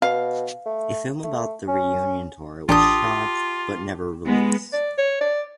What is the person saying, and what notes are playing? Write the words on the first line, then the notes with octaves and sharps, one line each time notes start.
A film about the reunion tour was shot but never released.
B2 F5
A3
A3
C#4
A1 D4 F4 G4 A4 D#6
G#3 B3
D5
C#5
D5